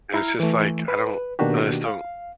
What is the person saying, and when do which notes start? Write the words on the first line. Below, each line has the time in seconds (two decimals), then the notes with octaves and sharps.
and it's just like, I don't I just don't
0.14 E4 A#5 F6
0.40 E3 A3
0.88 B4
1.39 B2 D#3 A#3 D4 F#4 G4
1.85 F5